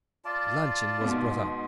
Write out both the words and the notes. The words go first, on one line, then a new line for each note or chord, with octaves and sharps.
Luncheon was brought up.
F4 D5 A5
G#2 B2